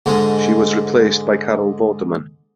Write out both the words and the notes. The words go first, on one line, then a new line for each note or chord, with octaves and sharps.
She was replaced by Carol Vorderman.
G#2 D3 G#3